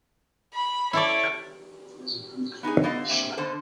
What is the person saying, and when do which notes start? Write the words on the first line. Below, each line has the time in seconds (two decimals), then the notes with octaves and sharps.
Scott initially committed to play college baseball at Arizona.
0.54 B5
0.93 E4 A4 C#5 D5
2.63 B3 D#4 F#4 G#4
2.83 D3 B3 D#5 F5
3.08 A#3 C4 E5
3.37 B2 D3 A4 C5